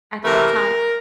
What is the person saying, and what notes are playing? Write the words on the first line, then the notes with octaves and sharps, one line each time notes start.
at the time
C3 E3 A3 A#4